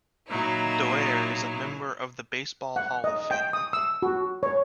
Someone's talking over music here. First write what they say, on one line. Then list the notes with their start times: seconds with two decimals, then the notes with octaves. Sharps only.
Doerr is a member of the Baseball Hall of Fame.
0.27 A#2 F#3 D#4 E4
2.76 F#5
3.04 D#5
3.31 G5
3.53 D#6
3.73 E6
4.02 F#4
4.43 C#5